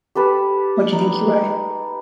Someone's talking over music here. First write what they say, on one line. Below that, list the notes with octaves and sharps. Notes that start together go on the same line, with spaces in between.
What do you think you weigh?
G4 A4 B4
D#4